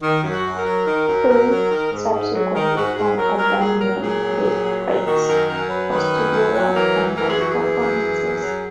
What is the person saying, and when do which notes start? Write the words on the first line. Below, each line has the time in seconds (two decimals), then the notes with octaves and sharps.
Fu subsequently formed a band named "The Krates" for studio work and live performances.
0.02 D#3
0.23 F#2
0.31 F#4
0.45 F#2
0.58 A#4
0.65 F#3
0.86 D#3
1.07 F#2
1.29 F#2
1.50 F#3
1.70 D#3
1.91 G#2
2.13 G#2
2.34 F#3
2.55 D#3 A#4
2.75 G#2 F#4
2.96 G#2 G#4
3.17 F#3 A#4
3.38 F#3 A#4
3.59 A#2 G#4
3.80 F#3 A#4
4.01 A#2 G#4
4.23 F#3
4.43 A#2
4.64 F#3
4.86 A#2
5.06 D#3 F#4
5.27 F#2 A#4
5.48 F#2 A#4
5.69 F#3 B4
5.90 D#3 B4
6.11 F#2
6.32 F#2
6.53 F#3
6.74 E3 A#4
6.95 F#2
7.16 E3 A#4
7.28 G#4
7.37 F#2 F#4
7.50 G#4
7.58 E3
7.79 F#2
8.00 E3
8.22 F#2
8.43 F#3